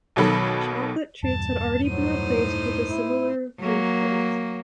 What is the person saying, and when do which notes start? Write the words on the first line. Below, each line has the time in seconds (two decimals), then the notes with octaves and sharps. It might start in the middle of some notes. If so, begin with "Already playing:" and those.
Chocolate Treets had already been replaced with the similar Minstrels.
0.16 B1 B2 D#3 F#3 A4 B5
1.23 E2 G2 B2 A5
1.85 A2 F#3 D#4 C5 D#7
2.88 E4
3.60 F#3 A#3